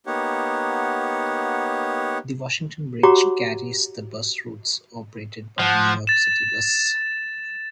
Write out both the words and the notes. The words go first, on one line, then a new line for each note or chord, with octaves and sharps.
The Washington Bridge carries the bus routes operated by New York City Bus.
A#3 B3 D#4 G4 C#5 F#5
F#4 G4 C#5 F#5 A#5 D6
F3 F#5
A6 E7